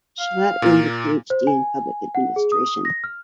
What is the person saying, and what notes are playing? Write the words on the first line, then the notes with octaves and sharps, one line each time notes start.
Shelat earned a PhD in public administration.
F5
A#2 A#3
C5
G#5
F#5
G#4
D#6
A#6
F6